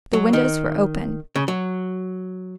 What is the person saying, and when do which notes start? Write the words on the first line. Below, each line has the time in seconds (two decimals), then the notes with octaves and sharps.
The windows were open.
0.13 F#3
0.33 D#3
1.36 C#3
1.48 F#3